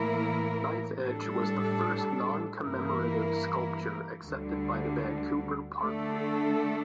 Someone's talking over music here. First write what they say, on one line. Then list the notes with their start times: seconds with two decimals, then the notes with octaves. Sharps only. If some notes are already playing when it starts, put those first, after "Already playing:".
Knife Edge was the first non-commemorative sculpture accepted by the Vancouver Park Board.
Already playing: A2 E3 A#3 E4 A#4
1.05 A2 G3 D4 A4
2.63 G2 E3 A#3 E4 A#4
4.22 D2 D3 G3
5.81 D3 A3 D4 A4